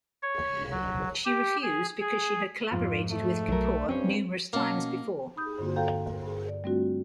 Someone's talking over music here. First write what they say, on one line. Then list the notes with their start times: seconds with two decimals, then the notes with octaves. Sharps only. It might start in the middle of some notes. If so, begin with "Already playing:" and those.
She refused because she had collaborated with Kapoor numerous times before.
0.23 C#5
0.71 F#3
1.25 G4
1.63 G#4
2.00 G#4
2.71 F2 G#2 F4
3.10 A3
3.49 B1 F#3 A#4
3.89 G2 C4 C#4 C5 C#5
4.53 B2 A#3 C#4 A5
5.36 D#4 B5 D#6 G6
5.59 G2 D3 A#3 F#4
5.76 A4 F5 G5 A#5 G6
6.23 G2
6.48 D5
6.64 G3 A3 C4 D4 F4 F#4